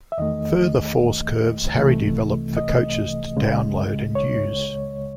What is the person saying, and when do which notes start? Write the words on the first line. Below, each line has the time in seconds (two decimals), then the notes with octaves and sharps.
Further force curves Harry developed for coaches to download and use.
0.12 E5
0.18 E2 D#3 A3 D#5
1.77 C2 C3 E3 A3
2.57 D#5
3.37 C#2 C#3 G#3
4.15 C#5